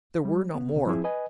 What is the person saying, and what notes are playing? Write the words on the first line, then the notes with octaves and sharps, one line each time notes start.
There were no more.
G3
B3
C2 C3
F3 C4 E4 G#4
B4 D#5 G#5